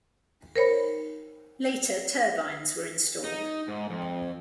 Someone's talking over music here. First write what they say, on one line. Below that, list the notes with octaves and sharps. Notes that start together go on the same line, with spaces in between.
Later turbines were installed.
A#4 C5 C#5 B5
D#4
G#2
F2